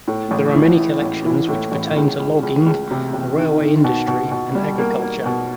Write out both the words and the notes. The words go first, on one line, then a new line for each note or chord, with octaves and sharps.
There are many collections which pertain to logging, the railway industry and agriculture.
A2
A1
E3
E3
A1
E3
A2
A1
C#2
C#2
C#2
C#2
C3
C3
D#3
D#3
B2
B2
B2
G3
A#3
A#3
B2